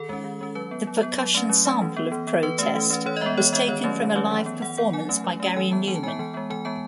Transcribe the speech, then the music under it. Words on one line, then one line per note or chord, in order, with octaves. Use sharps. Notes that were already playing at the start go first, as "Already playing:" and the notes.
The percussion sample of "Pro-Test" was taken from a live performance by Gary Numan.
Already playing: D#3 A4
G#3 C#4
D#3
G#3 C#4
F#3 B4
B3
F#3
B3
F#3
A3 C#4
F#3
A3 C#4
E3
B3
E3
B3
E3 B4
A3 C#4
E3
A3 C#4
E3 C#5
D#5
G#3 B3 E5
E3 C#5
G#3 B3 D#5
D#3 C#5
F#3 A3 C#4
D#3
F#3 A3 C#4
E3
B3
E3 F#5
B3 F#5
F#3 G#5
A3 C#4
F#3
A3 C#4
E3 G#5
G#3 B3 A5
E3 G#5
A5
G#3 B3 G#5 A5
E3 G#5
G#3 B3
E3 G#5
G#3 B3 A5